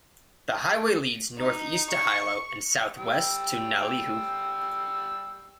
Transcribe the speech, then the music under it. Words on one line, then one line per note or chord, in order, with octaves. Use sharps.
The highway leads northeast to Hilo and southwest to Naalehu.
D#4
C#6
G3 G5 E6